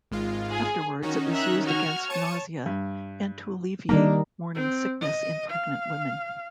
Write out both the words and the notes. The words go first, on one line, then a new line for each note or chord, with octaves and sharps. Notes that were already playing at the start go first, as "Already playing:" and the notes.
Afterwards it was used against nausea and to alleviate morning sickness in pregnant women.
G#1 G#3 F4
G#4
D#3 C#4 D#4 F#4
E5 A#5 F#6
F#4 F6 G#6
C#5 A5 C#6 C#7 D#7
G2
D#3 G3 A#3 D4 D#4
C4
D#5
F5